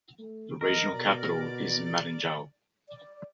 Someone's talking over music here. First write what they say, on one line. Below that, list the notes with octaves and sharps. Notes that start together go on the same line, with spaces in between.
The regional capital is Madingou.
A3
E2 A#4 D#5
B2 D5
D5